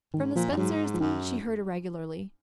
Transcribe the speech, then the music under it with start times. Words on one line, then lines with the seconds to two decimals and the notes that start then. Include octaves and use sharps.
From the Spencers she heard irregularly.
0.14 G#2 D#3
0.36 A#2 F3
0.51 F#2
0.57 G#2 F#3
0.94 F3
1.00 F#2 D#3